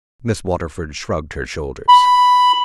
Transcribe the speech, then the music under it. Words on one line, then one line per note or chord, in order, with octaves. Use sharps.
Miss Waterford shrugged her shoulders.
B5